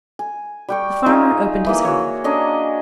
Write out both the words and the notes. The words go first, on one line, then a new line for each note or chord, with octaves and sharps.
The farmer opened his hive.
G#5
G3 G5 C#6
D#4 F4 G#4 E5
E3 A#3
F#4 C#5
C#4 D4 D#5 A#5